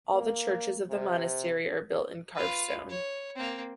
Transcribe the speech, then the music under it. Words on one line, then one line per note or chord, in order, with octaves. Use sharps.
All the churches of the monastery are built in carved stone.
A#3
C3
F4 B4
C#5
A#3 C4